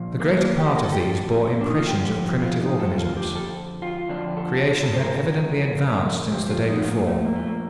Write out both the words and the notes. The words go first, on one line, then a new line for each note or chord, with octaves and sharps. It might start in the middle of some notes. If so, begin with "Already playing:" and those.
The greater part of these bore impressions of primitive organisms. Creation had evidently advanced since the day before.
Already playing: A#2 F3
A#3
A#3
G4
A#4
A4
G4
A4
D4
D#4
F4
F2 D3 F3 G4
F4
D#4
A4
F4
G4
A4
F4
F2 D3 F3 D4
A4
A4
C5
A#4
A#2 F3 G4
G4
F4
D#4
A3
A#3
A3
A#3
A3
A#3